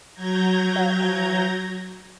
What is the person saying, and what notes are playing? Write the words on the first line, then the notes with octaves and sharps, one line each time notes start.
but, uh,
F#3 A#5 G6 G#6 A#6